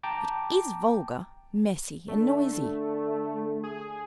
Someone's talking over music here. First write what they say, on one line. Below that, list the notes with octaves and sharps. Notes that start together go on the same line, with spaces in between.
It is vulgar, messy, and noisy.
G5 A5 A#5 D6
D3 A3
G#4